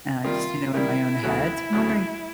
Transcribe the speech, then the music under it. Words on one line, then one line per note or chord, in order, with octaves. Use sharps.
and I just, you know, in my own head. So, I'm wondering,
C3 D#3 G3 A#3 F4
C3 D#3 G3 A#3 E4
D2 C#3 F#3 A3
D2 C#3 F#3 A3